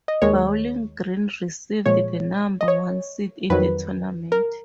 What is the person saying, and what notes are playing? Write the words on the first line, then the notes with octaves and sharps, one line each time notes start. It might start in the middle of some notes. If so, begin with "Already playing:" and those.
Bowling Green received the number one seed in the tournament.
D#5
D#2 D#3 G#3 C#5
A#2 F3 G#3 C#5
D#5
C#5
F2 D#3 F#3 B4
A#4